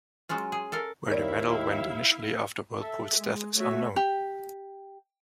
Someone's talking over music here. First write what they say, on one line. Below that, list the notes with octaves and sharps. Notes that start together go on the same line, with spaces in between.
Where the medal went initially after Whirlpool's death is unknown.
F#3 G#3 C#4 F4
G#4
A4 A#4 F5
D#2 E4 A#4 C#5 D5 E5 F5
A4 E5
G#3
A3 F#4 C#5 E5
G4